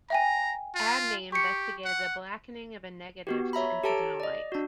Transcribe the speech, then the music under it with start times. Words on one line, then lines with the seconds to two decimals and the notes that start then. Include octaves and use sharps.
Abney investigated the blackening of a negative to incidental light.
0.10 E5 G5 G#5 A#5
0.75 F4
1.32 G4 C#6 C#7
1.85 F#5
3.27 B3 F#4 G4
3.53 C#5 E5 A#5 B5
3.84 G4 A4 C#5 A5 A#5 D7
4.20 D5 D#5
4.52 D4 F#4